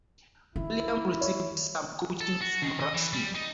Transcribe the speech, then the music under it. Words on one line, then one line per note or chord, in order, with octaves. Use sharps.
William received some coaching from Ruskin.
D#3 E4
C#5
A4
F#4
D#3
D#5
E3
G3
D#4